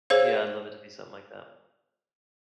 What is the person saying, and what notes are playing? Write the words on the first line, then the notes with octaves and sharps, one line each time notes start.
yeah, I'd love it to be something like that.
G#4 C5 C#5 F5